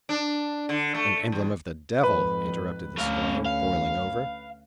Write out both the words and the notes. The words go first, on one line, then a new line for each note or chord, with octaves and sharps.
"An emblem of the devil," interrupted the squire, boiling over.
D4
D3
A3
E2
F2 G#2 B4
D2 A3 C#4 F5
F5